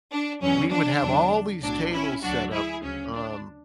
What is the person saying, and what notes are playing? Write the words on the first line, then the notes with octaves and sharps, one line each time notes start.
we would have all these tables set up, um,
D4
E2 D3 F#3 C#4
D4
E2 D3 F#3
B1 A2 F#3 D4
C#4 E4
D2 D3 F#3 D4 F#4
E4 G#4
D2 C#3 F#3 C#4
D4